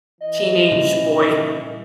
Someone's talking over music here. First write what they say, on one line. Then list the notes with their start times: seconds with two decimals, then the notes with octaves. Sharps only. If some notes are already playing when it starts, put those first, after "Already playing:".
teenage boys,
0.21 E3 D#5
0.71 A#2 C#3 G3